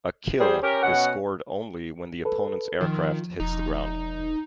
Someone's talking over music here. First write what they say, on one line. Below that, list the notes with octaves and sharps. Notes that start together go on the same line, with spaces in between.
A "kill" is scored only when the opponents aircraft hits the ground.
G3 G#4 C5
C#4 G4 A#4
B2 F#5
A4 B4
D#3 F3 F4
E1 D#4